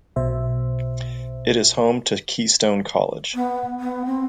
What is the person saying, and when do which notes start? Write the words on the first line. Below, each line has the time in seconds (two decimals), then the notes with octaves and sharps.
It is home to Keystone College.
0.16 B1 B2 C5 E5
3.34 B3
3.79 B3
4.05 C4